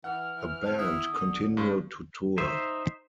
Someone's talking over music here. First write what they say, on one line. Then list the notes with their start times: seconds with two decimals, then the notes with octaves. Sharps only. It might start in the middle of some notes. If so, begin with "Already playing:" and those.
The band continue to tour.
0.04 E3 F#5 F6
0.36 E3
0.65 C4 A5
0.78 E4 D#6
1.13 D3
1.57 G2 C#4 C6 F6
2.38 D#4 C5 E5